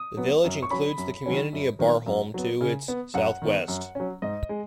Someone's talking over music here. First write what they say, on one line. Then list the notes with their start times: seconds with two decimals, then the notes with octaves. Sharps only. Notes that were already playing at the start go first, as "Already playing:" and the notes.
The village includes the community of Barholme to its south-west.
Already playing: D#6
0.17 F#3 B3
0.44 F#2
0.62 C#6
0.71 F#3 C#4 B5
0.98 F#2
1.26 D#3 F#3 C#4
1.53 F#2
1.79 D#3 F#3 B3
2.06 F#2
2.34 F#3 B3
2.61 C#3
2.88 B3
3.14 F#2 F#5
3.42 D#3 B3
3.68 F#2
3.95 F#3 C#4
4.22 G#2 D#5
4.49 G#3